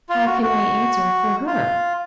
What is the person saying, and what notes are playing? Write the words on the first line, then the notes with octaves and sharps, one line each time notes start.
How can I answer for her?
F4
F#4
F#4
F4